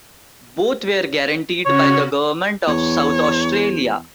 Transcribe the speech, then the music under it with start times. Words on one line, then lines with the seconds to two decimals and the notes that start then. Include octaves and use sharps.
Both were guaranteed by the Government of South Australia.
1.65 C#3 C#4 F#4 C#5
2.67 E2 C#5